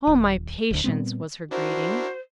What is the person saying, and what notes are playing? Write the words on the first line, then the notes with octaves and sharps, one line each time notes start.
"O, my patience!" was her greeting.
D#1
D1 D2
A#2 G3 B3 C4
D4 E4 F#4 A#4 C5